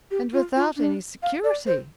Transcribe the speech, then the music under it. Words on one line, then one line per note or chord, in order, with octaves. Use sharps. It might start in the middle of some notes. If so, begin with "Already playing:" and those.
"And without any security!"
G4
F4
F4
D4
F5
D5
C5